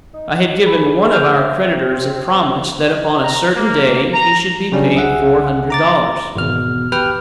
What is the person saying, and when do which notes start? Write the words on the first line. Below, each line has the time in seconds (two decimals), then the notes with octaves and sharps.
I had given one of our creditors a promise that upon a certain day he should be paid four hundred dollars.
0.14 D#4
0.66 G#4 B5
1.12 F6 G6 F7
1.37 C4 E5
3.21 A#5
3.54 A#3
4.14 A#5
4.72 C#3 F#3 G3 C#4 D4
4.95 C2 G#4 E5 F#5
5.70 A#5 D6 A6
6.36 G#1 E2 B2 F6
6.92 G4 B4 G5 F6